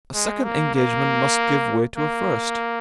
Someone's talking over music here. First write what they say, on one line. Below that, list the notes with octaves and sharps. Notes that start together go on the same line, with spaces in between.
A second engagement must give way to a first.
G#3
A#3
A#3
A#3